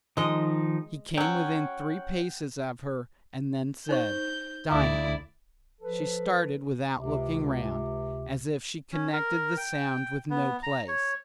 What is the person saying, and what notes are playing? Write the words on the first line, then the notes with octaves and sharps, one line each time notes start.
He came within three paces of her and then said, "Dinah!" She started without looking round, as if she connected the sound with no place.
D#3 F3 G#3 D#4 D#5
F#3 C#4 F#5 G5
D#4 C5 C#6 G6
D2 E4 D5 F5 D6 D#6
F3 A4 B4
C#2 C3
C#4
A#4
G5
B3
A#5
C#5